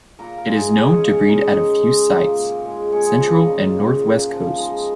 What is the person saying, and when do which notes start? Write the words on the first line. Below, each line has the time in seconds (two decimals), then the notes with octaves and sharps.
It is known to breed at a few sites, central and north-west coasts.
0.19 A#2 A#4 A#5
0.38 A#4 A#5
0.46 G#3
0.55 G#4 G#5
0.74 G#3 G#4 G#5
0.92 C#4 C#5
1.01 C#3
1.10 C#4 C#5
1.29 G#3 D#4 D#5
1.56 G#3
1.83 G#3
2.11 A#2
2.39 A#2
2.65 G#3
2.92 G#3 C#4 C#5
3.06 G#3 G#4
3.20 A#2 F3 F4
3.33 D#4
3.47 C#3
3.75 C#3
4.02 A#2
4.29 F3
4.56 G#3 D#4